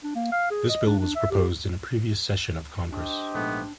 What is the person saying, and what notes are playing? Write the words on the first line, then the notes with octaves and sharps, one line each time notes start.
This bill was proposed in a previous session of Congress.
D4
A#3
F5
G#4
D#5
D4
D4
E5
G4
D4 G4 C5 D#5
A#1 G#2 A3 B3